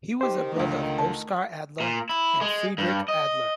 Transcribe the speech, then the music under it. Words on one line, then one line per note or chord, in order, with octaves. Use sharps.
He was a brother of Oskar Adler and Friedrich Adler.
D#3 G4 C5
C#2 D3 A3
A5
A#2
E4
G#3
G2
D#5